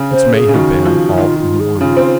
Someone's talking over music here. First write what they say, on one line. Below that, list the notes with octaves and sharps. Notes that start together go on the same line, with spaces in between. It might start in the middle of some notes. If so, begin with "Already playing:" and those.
It may have been all in one.
Already playing: C#3
C5
G#4
C#3
D#3 F#4
F3
D#3 F4
F4
G#4
C#3 F4
C4